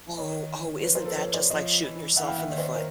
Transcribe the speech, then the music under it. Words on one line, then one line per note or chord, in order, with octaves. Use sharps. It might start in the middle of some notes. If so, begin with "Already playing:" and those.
Ooh, oh, isn't that just like shooting yourself in the foot.
D#3 C#5 D#5
F3 B4 C#5
A#4 C5
A4 B4
B4 C#5
C5 D5
F3 C#5 D#5
E3
E3 E5 F#5
F5 G5
E5 F#5
D#3 C#5 D#5
C5 D5
A#4 C5